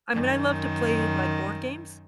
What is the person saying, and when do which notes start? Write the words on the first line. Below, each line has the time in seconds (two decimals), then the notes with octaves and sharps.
I mean, I love to play, like, board games.
0.13 F#2 D#3